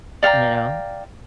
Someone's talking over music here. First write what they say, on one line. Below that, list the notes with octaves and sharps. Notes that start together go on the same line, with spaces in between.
You know?
D5 F5 G5 A#5